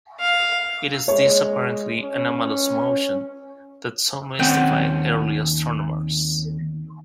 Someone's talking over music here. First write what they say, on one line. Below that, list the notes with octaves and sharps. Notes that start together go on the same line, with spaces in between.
It is this apparently anomalous motion that so mystified early astronomers.
F5
G#3 C#5
C#4
D#2 C4 C#4 F#5 G5